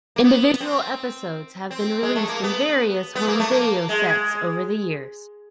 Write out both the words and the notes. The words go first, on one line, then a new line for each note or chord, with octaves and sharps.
Individual episodes have been released in various home video sets over the years.
A#3
B3
C4
C4
G#3
A3
A#3
B3
B3
A#3
A3
A#3
G#3